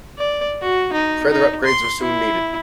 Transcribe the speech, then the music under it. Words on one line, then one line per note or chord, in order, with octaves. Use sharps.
Further upgrades were soon needed.
D5
F#4
D#4
D#4
C6
E4